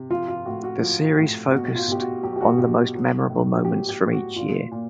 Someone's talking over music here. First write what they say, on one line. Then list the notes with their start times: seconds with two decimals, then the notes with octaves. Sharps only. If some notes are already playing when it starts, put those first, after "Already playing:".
The series focused on the most memorable moments from each year.
Already playing: C3
0.10 F3 F4
0.28 F4
0.45 A2 F#4
0.63 F#4
0.82 F3
1.17 A2
1.52 B2 F#4
1.76 F4
1.88 B2 G4
2.00 F#4
2.23 F#3 G4
2.36 G4
2.41 F#4
2.58 B2 G4
2.77 F#4
2.95 F#3
3.29 A2
3.56 F#4
3.65 F#3 G4
3.89 G4
4.01 A2
4.12 F#4
4.36 A#2 F4
4.71 A#2